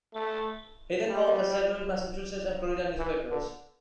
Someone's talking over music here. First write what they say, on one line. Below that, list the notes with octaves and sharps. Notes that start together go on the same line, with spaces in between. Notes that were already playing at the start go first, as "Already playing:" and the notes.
He then worked at several Massachusetts and Florida newspapers.
A3
G3
E3
D3